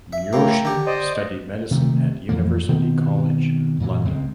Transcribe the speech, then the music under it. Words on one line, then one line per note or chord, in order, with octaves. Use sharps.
Joshi studied medicine at University College London.
E5
E2 A2 A#3 G5 A#5
D3 G4
C5 D5 D#5
C3 D#3 F#3 A3
F2 E3 A#3
B2 D#3 B3 C4
F#2 A#2 E3
C#2 G#3 C4